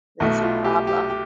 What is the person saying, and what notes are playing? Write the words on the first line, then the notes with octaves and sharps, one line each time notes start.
That's a problem.
B1 B2 A3 E4
F4
G4
G4
G4